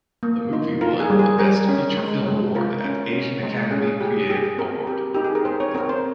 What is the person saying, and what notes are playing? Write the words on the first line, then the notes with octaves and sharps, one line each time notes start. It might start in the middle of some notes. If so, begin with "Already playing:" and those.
The movie won the Best Feature Film Award at Asian Academy Creative Award.
A#3
D#4
F4 A#4
G#4
G3
G#4
G3 A#4
C#4
G#3
G#3
F4 A#4
C#4
C#4
G#3
C#4 G#4
G4 G#4
G4 G#4
C4 A#4
G4
D#4 G4
G#4
A#4
C4 C5
C#5
C4 A#4
C5